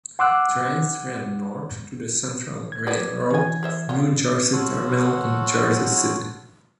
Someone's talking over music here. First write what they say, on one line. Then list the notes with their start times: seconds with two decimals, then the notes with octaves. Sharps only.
Trains ran north to the Central Railroad of New Jersey Terminal in Jersey City.
0.19 F#5 C6 D6 E6 F#6
2.72 G#6
2.87 B4 D5
3.30 E3 C#4 G#5 G#6
3.63 A#4 C5 E5
3.89 F#3 F4
4.52 F#4 A4 C5 C#5 F5 F#5